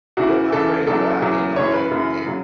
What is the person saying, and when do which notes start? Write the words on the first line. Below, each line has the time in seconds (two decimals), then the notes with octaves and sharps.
They're my friends. I you know, and and
0.17 E2 C#3 E3 F#4
0.52 E2 C#3 E3 A4
0.87 E2 C#3 F#3 A4
1.22 E2 C#3 F#3
1.56 F#2 C#3 E3 C#5
1.74 B4
1.91 F#2 C#3 E3
2.26 C#3 F#3